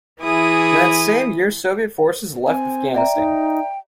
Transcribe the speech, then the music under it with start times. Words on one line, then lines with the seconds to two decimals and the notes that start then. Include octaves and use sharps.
That same year Soviet forces left Afghanistan.
0.22 E3 E4 G#4 D#6
2.47 C4 G#5
2.94 D5 E5 G5 A#5
3.15 D#4